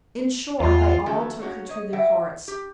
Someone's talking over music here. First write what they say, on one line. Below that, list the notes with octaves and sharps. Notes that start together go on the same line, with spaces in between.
In short they all took her to their hearts.
E2 F4
D#3 F3 F#3 A3 C#4 A4
A#3 C#4 F#4 C#5
C#5 D#5
E3 E5 F#5 G5
G4